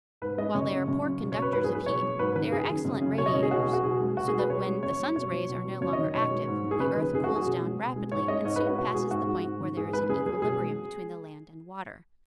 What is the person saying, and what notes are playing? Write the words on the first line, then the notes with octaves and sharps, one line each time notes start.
While they are poor conductors of heat, they are excellent radiators, so that when the sun's rays are no longer active the earth cools down rapidly and soon passes the point where there is an equilibrium between the land and water.
G#2 B4
G#3 D#5
F#2 C#5
C#3
F#2
C#3
B2
F#3 C#5
B4
G#2 B4
G#4
F#3 B4
B2 C#5
F#3
G#2 B4
D#3 B4
F#2 G#4
D#3
F#2
C#3
B2 C#5
D#5
G#3 C#5
G#4
B2 F#4
G#4
F#3
F#4
B2 G#4
G#3
B2 F#4
G#4
G#3
B4
B2 C#5
G#3
F#2 C#5
F#3
B2 C#5
F#3
B2
F#3
F#2 C#5
D#5
D#3
B2 C#5
G#3
G#2
F#3
G#4
F#2 B4
D#3
F#2 G#4
F#4
F#3
G#4
B2
G#3
B2
G#3
G#2 C#5
G#3 D#5
G#2 C#5
B4
G#3 F#4
B2 F#4
G#3 G#4
G#2 F#4
G#3
G#2
D#3
G#2 G#4
G#3 B4
F#2 G#4
F#3 G#4
B2 G#4
G#3